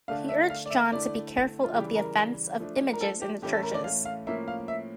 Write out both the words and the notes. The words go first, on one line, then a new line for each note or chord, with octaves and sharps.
He urged John to be careful of the "offence" of images in the churches.
D3 A3 D4 F5
E5
F5
D5
E5
D3 A3 E4 D5
F4
C#3 E3 G3 G4
A#4
F3 A3 D4
A#4
A4
G4
A2 E3 A3 C#4 E4 G4
A4
A#4
D5
F5
F5
A2 F3 A#3 C#4 E5
F5
E5